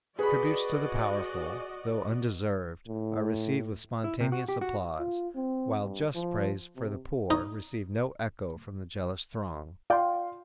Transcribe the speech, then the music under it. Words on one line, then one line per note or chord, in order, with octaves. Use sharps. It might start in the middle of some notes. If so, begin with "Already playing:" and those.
Tributes to the powerful, though undeserved, are received with spontaneous applause, while just praise for the poor receive no echo from the jealous throng.
F#4 G#4 B4 D5 D#5 B5
A2
E4
C3
F#4
G4
F#4
F4
C4
G2
F3
C3
D#4
F4 D5 F5 G5 C6